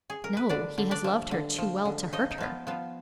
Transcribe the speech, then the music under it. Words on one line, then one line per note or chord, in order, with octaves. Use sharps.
'No, he has loved her too well to hurt her.'
G#4
A#4
B4
D3 D4 D5
D3
D4 D5
F3
D3
F3
D3
F3 D#4 D#5
D#4
F3 B3 F4
F3 B3 F4